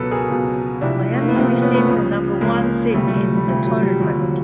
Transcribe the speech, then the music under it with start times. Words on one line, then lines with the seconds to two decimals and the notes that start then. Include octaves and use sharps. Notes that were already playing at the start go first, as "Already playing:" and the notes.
Miami received the number one seed in the tournament.
Already playing: C#2 B2 F#3 A4 B4
0.11 G#4 A#4
0.28 C#2 B2 F#3
0.81 C2 C3 F3 D4 E4
1.14 A3
1.21 A#3
1.28 B3
1.35 C2 C3 F3 A#3 C4
1.48 A#3 C4
1.62 B3 C#4
1.74 A3 B3
1.87 C#2 C#3 F3
2.41 C#2 C#3 F3 G#3 A#3
2.94 D2 C3 F3 G3 A3
3.07 G3 A3
3.34 G3
3.48 D2 C3 F3 G3
3.65 F#3
3.83 G3
4.00 D#2 D3 F3 G3
4.19 F#3